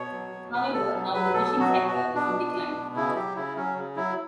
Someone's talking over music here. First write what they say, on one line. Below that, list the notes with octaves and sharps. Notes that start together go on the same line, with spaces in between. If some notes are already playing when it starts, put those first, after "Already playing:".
However, now the fishing sector is in decline.
Already playing: B2 C#5
F#3
B2
B2 B4
B2 A4
F#3
F#3 B4
B2 A4
F#3
F#4
B2
F#4
B2
B2 D4
B2
B2
B2
C#3 E4
F#3 G4
C#3 E4
F#3 C#4
C#3
F#3 E4